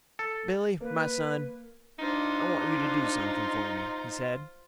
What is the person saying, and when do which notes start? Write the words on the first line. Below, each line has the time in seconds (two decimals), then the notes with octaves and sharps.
"Billy, my son, I want you to do something for me," he said.
0.19 A4
0.81 A#3 B4
1.99 D4 D#4 F4 C5